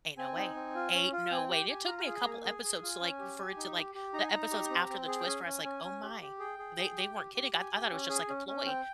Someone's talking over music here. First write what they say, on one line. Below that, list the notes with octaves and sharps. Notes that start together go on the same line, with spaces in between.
"Ain't no way, ain't no way," and it took me a couple episodes to, like for it to, like the episodes after the twist where I was like, "Oh my, they they weren't kidding," I I thought it was just like a ploy.
C4 G#5
D#4
C4
F4
C#4
F4
C4 G#5
G4 G5
G4 G#5
F4 A#5
A#5
G#5
G#4
G#5
A#3 A#5
G#5
G#4 G#5
G#4
F4
C#4
G4
G4
D#4
G4
G4
D#4 A#5
G#5
D#4 A#5
G4
C4
C4
G#4
G5
C#4 G#5
C#4
C#4
C#4
G4
G4
G#4 G5
G#4
G#4
G4
G4
G4
G4 G#5
G4
C#4
G#4
C#4
C#4
C4 G5